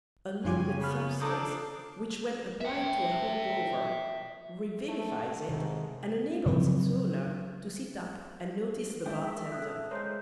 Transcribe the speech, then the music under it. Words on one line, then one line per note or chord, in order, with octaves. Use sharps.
A liquid substance which when applied to a "holdover" revivifies it and enables its owner to sit up and notice the bar-tender.
F#2 C#3 F3 G3 G#5
B3 B5 F6
D4 F4 A4 A#5 D6 D#6 G6
E5 G5
A3
G#2 C3 D#3
C#3 F3 F#3 C4
G#3 D4 E5 G5
A4 D#6 F#6
G#3 A#4 C5 C#5 G6